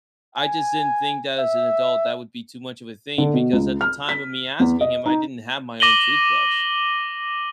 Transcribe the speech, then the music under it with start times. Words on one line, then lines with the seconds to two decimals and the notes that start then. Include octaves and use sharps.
I just didn't think that as an adult that would be too much of a thing because at the time of me asking him, I didn't have my own toothbrush.
0.37 G#5
1.39 E5
3.18 D3
3.34 B2
3.53 C#2
3.81 F6
4.09 B6
4.60 E2
4.81 D#5
5.06 D#4
5.80 D6 A#6 D#7 F#7 G7